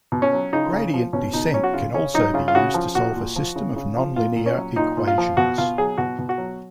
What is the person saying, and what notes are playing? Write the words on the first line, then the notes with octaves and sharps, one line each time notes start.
Gradient descent can also be used to solve a system of nonlinear equations.
B2
C#4
F#3
C#3 D#4
C#3
F3
B2 C#4
B2 D#4
F#3 C#4
F#4
C#3 F4
C#3 C#4
F#3 D#4
C#3 F4
F4
C#3 F#4
F3
A#2 F#4
A#2
F3
C#3
C#3
F3
A#2 F4
A#2
C#4
F#3
A#2 D#4
A#2
F4
F3
B2 F#4
B2 F4
F#3 G#4
B2 F#4
B2
F#4
F#3